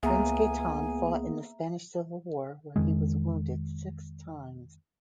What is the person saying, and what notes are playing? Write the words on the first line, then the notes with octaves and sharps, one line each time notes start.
Prince Gaetan fought in the Spanish Civil War where he was wounded six times.
C#2 A#3 B3 G#4 E5 G#5 A#5
F2 D#3 G#3